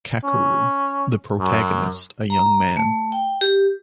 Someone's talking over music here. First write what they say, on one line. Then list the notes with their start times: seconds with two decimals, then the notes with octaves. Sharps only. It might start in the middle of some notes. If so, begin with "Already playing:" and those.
Kakeru : The protagonist, a young man.
0.24 C#4
1.39 F#2
2.30 A#5
2.77 A3
3.12 G5
3.41 G4